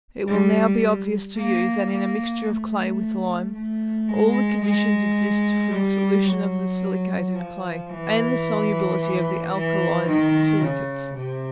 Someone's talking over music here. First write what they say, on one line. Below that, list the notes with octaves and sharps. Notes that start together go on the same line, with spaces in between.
It will now be obvious to you, that in a mixture of clay with lime, all the conditions exist for the solution of the silicated clay, and the solubility of the alkaline silicates.
G3
A#3
A#3
A3
A3
G#3
G#3
G3
F#3
F3
E3
E3
D#3
C#3
C3